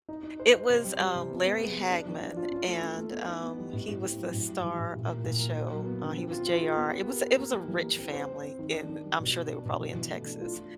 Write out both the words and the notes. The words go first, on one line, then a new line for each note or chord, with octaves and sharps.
it was, um, Larry Hagman, and, um, he was the star of the show uh, he was J.R. It was it was a rich family in I'm sure they were probably in Texas,
D#4
D#4
C5
C5
C3
G3
G3
C3
B3
B3
G#4
B3
D4
F3
D4
F4
C#4
A3
C#4
A3
B3
D#4
B3
G3
A2
A2
C4
F#3
A2
G3
E3
A2
A#2
A#3
A#2
A#3
E4
F#3
B3
D3
C4
F4
F4
G#4
B3
G4
A#4
A#4
A#3
G3
E3
A#3
C4
C5
C4
C4
D#3
D4
D#3
G3
B2
B3
D4
B2
E3
E3
A3
D4
F4
F4